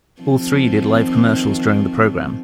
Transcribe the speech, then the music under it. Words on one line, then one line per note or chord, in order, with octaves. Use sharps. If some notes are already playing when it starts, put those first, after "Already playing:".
All three did live commercials during the program.
D#3 F3 C4